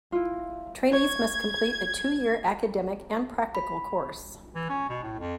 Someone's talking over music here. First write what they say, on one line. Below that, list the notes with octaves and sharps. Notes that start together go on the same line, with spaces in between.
Trainees must complete a two-year academic and practical course.
E4 F4
C#5 G#6
B5
E3
C#4
B2
A2
F2